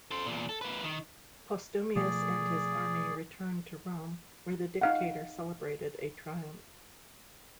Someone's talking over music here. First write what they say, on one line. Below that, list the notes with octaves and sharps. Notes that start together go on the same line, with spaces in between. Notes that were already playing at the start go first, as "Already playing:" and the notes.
Postumius and his army returned to Rome, where the dictator celebrated a triumph.
A4 C5
E2 A#2
A4
A#3 B4
D#3
B2 F3 A3 G#4 D5
D#4 F5 F#5